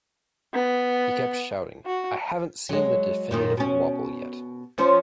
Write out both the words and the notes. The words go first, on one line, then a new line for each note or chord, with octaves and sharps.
He kept shouting, 'I haven't seen the definitive wobble yet!'.
B3
F#4
F#3 G#3
F#2 A#2 D#3
B2 C#4
F3 C#4 C5